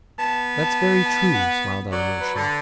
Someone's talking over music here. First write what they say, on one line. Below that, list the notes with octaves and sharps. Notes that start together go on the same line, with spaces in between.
"That's very true," smiled Alyosha.
B3 A5
A5
A5
F#5
F#3 D5
B4
D3